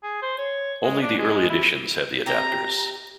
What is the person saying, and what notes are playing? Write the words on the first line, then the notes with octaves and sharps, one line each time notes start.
Only the early editions have the adapters.
G#4
C5
C#5
G#3
D4
G#3
E4
C4 G4 G5 A#5